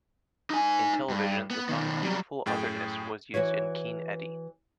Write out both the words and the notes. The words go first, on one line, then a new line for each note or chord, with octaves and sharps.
In television, the song "Beautiful Otherness" was used in Keen Eddie.
D#4 G#5
G2
B3
B2 D#3
F#3 G3
F#2 A2 G#4 G5 A6
E3 F#4 B4 C#5